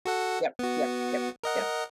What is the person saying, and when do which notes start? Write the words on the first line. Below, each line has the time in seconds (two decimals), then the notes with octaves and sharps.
Yep, yep, yep, yep.
0.05 F#4 A4 F#5
0.59 B3 F#4
1.43 A#4 D#5 F#5